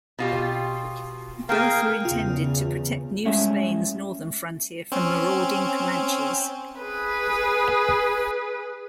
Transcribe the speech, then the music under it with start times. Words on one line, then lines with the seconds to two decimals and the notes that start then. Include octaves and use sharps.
Both were intended to protect New Spain's northern frontier from marauding Comanches.
0.19 B2 F4 G4
1.49 A#3 G#4 A#4 F5 G5
2.05 E2 C#3 F4
3.25 A2 G3 G#3 C#4 C#5 E5
4.92 C4 C#4
6.79 G#4 B4